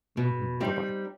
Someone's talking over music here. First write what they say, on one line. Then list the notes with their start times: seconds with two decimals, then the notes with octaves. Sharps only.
Mhm, buh-bye.
0.17 B2
0.60 G3 C4 D#4 G4